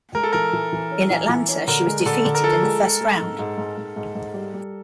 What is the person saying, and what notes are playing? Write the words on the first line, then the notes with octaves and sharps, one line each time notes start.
In Atlanta, she was defeated in the first round.
G#3 A#4
A4
E3 A#4
E3
E3
C#4
E3
E3
C#4
D3 A#4
G#3
D3 A4
D3
A#4
F3 A4
G#3
G#3
G#3
G#2
G#2
G#2
G#2
G#2
G#2
G3
G3